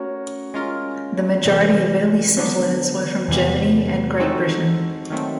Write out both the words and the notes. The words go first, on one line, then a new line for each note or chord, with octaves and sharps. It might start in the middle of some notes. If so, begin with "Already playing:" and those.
The majority of early settlers were from Germany and Great Britain.
Already playing: A3 C#4 F#4 A#4 C#5
G#3 C#4 F4 A#4
C3 E3 G3 C4
D3 F#3 B3 D4
E2 C3 E3 G3 B3
G#3 C4 D#4 F#4 A4
D#3 F#3 A3 C4